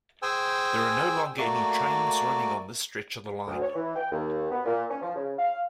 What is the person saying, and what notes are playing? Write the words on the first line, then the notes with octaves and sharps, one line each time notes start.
There are no longer any trains running on this stretch of the line.
G#4 C5 G5 G#5 E6
A3 A#3 F#4 D5
D2
C#5
E3
G5
D#2
B3
A#2
C#4
F3
C#3
F5